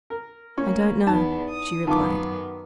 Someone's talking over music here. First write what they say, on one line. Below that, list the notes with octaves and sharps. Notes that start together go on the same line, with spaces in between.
"I don't know," she replied.
A#4
A3 A#3 C#4
E2 B3 D#4 A5
D#6
F#2 D#3 B3 F4 A5 D6